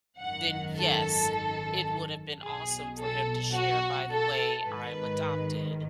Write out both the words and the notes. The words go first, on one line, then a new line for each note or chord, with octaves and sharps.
then yes, it would have been awesome for him to share, "By the way, I'm adopted"
G#1 F#2 D#3 F#5
A4
B1 B2 G#4
A4
F#4
A4
G#1 G#2 D#3 B4